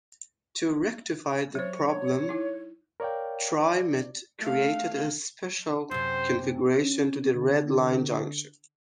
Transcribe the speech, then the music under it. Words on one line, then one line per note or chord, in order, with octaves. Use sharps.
To rectify the problem, TriMet created a special configuration to the Red Line junction.
F#3 C5 C#5
D#4 E4
A#4 C#5 D5 F5 G5
D5
A3 F5
F#2 C3 C5
C#4
D3